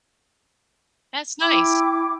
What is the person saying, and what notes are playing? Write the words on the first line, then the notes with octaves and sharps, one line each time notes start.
That's nice.
E4 G5 D6